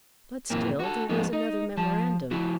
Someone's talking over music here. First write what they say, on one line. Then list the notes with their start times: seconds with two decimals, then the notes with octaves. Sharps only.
But still there was another memorandum.
0.50 F#2 A#2 D3 E3 A#3 C4
0.80 F#4 A4
1.09 F3 G#3 B3 D#4
1.33 D#4
1.77 F3 A5
2.31 F3 E4 F#4